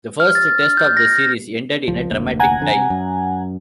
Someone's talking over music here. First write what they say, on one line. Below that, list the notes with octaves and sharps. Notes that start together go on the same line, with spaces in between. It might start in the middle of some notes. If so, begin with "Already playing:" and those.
The first Test of the series ended in a dramatic tie.
F6
A6
F6
G6
A#6
C#2 F3
F1 D2 A#3
F#5 G#5 A#5
F2 D3
C3
F#2